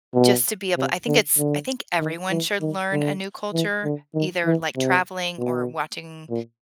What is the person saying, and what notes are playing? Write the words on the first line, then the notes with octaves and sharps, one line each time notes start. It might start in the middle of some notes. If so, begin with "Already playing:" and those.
just to be able I think it's I think everyone should learn a new culture, either, like, traveling or watching
B2
C3
D3
D3
D#3
E3
D#3
D3
E3
D3
D#3
E3
C3
B2
A#2